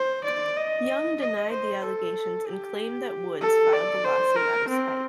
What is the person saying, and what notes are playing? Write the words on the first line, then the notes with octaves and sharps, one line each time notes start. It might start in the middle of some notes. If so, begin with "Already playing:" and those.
Young denied the allegations and claimed that Woods filed the lawsuit out of spite.
Already playing: C5
D5
D#5
D#5
C5
A4
G4
A4
D5
C5
A#4
C4